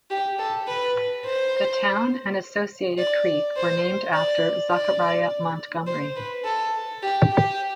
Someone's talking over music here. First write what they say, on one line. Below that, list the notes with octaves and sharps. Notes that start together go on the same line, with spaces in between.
The town and associated creek were named after Zachariah Montgomery.
G4
A4
B4
C5
D5
C5
D5
D5
C5
B4
A4
G4
G4